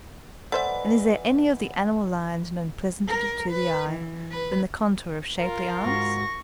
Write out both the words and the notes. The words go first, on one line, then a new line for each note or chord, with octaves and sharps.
And is there any of the animal lines known pleasanter to the eye than the contour of shapely arms?
E3 A3 D#4 B4 C5 D5 E5 F#5
A#4
B4
E3
B4
F4 A#4
G#2 F#4 C#6 A#6